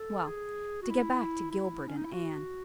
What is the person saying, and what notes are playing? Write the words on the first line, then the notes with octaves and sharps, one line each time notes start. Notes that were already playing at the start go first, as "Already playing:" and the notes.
Well, to get back to Gilbert and Anne.
Already playing: A4
G#4
F#4
E4
E4
C#4
D#4
E4
F#4